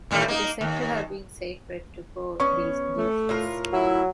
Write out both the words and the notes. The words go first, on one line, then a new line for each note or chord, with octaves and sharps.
It is said to have been sacred to both these deities.
D#2 A2 G3
A#3 D#4
D#2
B3 C#4 C#6
A3
A2 F4 A#4
F#3 E4